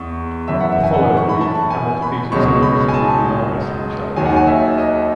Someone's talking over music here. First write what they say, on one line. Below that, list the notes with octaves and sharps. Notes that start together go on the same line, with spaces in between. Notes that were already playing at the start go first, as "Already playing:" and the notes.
The following week Hammer defeated Simmons to win the arm wrestling challenge.
Already playing: E2 C#6
F#2 E3 E5
F#5
E5
G#5
F#5
C#6
B5
A5
G#5
B5
C#2 B2 F#3 C#6
B5
G#5
A5
D#2 D#3 F#3 G#5
F#5
G#5
E5
D#5